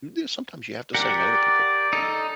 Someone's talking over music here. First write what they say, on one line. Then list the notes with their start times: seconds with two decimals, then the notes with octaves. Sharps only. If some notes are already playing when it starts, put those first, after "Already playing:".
and do sometimes you have to say no to people
0.94 G4 A#4 D5 F#5
1.93 D#4 A4